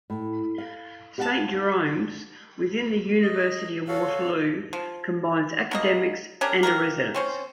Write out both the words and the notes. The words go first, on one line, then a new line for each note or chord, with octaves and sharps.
Saint Jerome's, within the University of Waterloo, combines academics and a residence.
A2
F5
G4 F5 F#5 G#5 A5
D#5
F#4 A4 C#5 F5
F3
B2 A#3 D#5
C#4 D4 G4 A#4
D#3 G#3 A#3 A#4
C4 C#4 C5